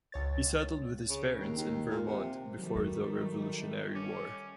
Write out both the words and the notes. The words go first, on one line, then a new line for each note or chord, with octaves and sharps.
He settled with his parents in Vermont before the Revolutionary War.
C#2 C#5 A6
C#3
D#2
D#2
A#2
C3
D#3 F#3 G3 A3
C#4 D6